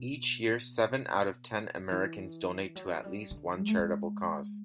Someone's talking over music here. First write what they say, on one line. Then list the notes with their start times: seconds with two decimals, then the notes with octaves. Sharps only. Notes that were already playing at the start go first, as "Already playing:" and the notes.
Each year, seven out of ten Americans donate to at least one charitable cause.
Already playing: B2
1.91 E3
2.75 F#3
3.04 G3
3.31 D3
3.59 G#3
3.68 A3
3.79 G#3